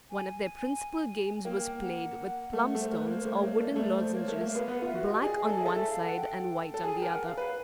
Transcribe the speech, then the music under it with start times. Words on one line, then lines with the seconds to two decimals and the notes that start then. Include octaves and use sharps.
One of their principal games was played with plum-stones, or wooden lozenges, black on one side and white on the other.
0.10 G#5
1.45 A#3 G5
1.63 G5
1.81 F#5
2.52 A3 F#5
2.75 A3
2.80 C5
2.90 A#4
2.98 B4
3.07 A#3 C5
3.20 A3 C5
3.33 C#5
3.43 A#3 D5
3.54 D#5
3.60 A3 D5
3.68 A#3
3.76 A3 D5
3.96 C5
4.14 A#3 C#5
4.28 A3 E5
4.41 A#3
4.51 B3 F5
4.68 B3 F#5
4.82 F4 E5
4.95 F#4
5.05 D#5
5.09 G4
5.15 D#5
5.22 G#4 D5
5.40 D#5
5.49 A4
5.58 G#4 E5
5.66 A4
5.76 A4 E5
5.89 F5
6.03 F#5
6.16 G5
6.74 A4
6.83 G#4 G#5
6.98 A#4 G5
7.11 F#5
7.24 F5
7.37 B4 F5